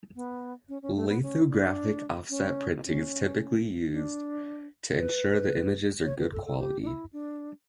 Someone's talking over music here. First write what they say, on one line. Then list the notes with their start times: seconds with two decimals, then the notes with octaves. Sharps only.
Lithographic offset printing is typically used, to ensure the images are good quality.
0.15 B3
0.69 C#4
0.82 C#4
0.96 A3
1.09 B3
1.23 C#4
1.50 D4
2.30 C#4
2.84 C#4
3.91 D4
4.99 B4
6.05 C#5
6.19 B4
6.33 A4
6.46 A4
6.59 G4
6.82 D4
6.87 E4
7.13 D4